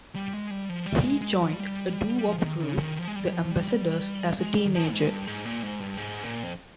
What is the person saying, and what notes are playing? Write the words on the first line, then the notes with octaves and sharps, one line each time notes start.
He joined a doo-wop group, The Ambassadors, as a teenager.
G3
G#3
G3
F3
G3
G#3
G#3
G3
F3
G3
G3
F3
F3
D#3
C#3
D#3
F3
G#3
G3
F3
G3
G3
G#3
G3
D#3
F3
G#2
G2
G#2
A#2
G#2
G2
G#2
A#2
F2